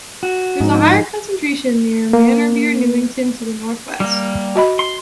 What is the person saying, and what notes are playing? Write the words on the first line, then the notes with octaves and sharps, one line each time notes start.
There is a higher concentration near Manorbier Newton to the northwest.
F#4
G#2 F3 D#4
A#3
G3 A#3
F#4 D#5 B5
C6